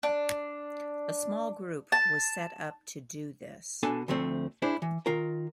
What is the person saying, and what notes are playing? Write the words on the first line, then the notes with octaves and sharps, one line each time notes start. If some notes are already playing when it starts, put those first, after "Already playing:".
A small group was set up to do this.
D4
A5
B2 D4 A4 G#5 A5
D2 F3 A3 C4
D4 E4 G#4 C5
E3
D#3 F4 A#4